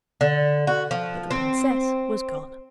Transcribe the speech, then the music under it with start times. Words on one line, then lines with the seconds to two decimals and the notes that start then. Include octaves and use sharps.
But the princess was gone.
0.21 D3
0.67 F#4
0.91 F3
1.31 C4